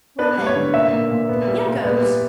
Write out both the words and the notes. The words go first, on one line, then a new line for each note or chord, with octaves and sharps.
"Well, then--here goes!"
B3 B4
G3
C#5
D3
A#2 E5
A#3
A#2
B3
G3
A#2
B3
G3